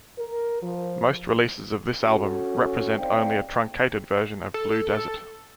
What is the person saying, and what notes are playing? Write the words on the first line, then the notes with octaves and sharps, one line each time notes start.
Most releases of this album represent only a truncated version of "Blue Desert".
A#4
F3
C#4 F#4 A4
C4 D#4 C5 D5 F5 G5
A4